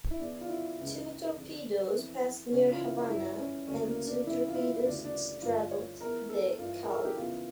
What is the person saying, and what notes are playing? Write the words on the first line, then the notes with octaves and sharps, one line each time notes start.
Two torpedoes passed near "Havana" and two torpedoes straddled "DeKalb".
E4
E2 E3 D4
F4
E4
C#2 C#3 E3
F2 D3
F2 E3
C#2 C#3 E3 C#4
F4
E4
G2 E3 E4
C#4
D2 C#3 E3 C#4
A#3
D4
F2 C#3 E3 E4
F4
E4
E4
D2 C#3 E3 D4
D4
G2 D3 F4
C#5
E2 E3 A#4
A4
G2 E3 F4
A#4
A4
G4
E2 C#3 E3 F4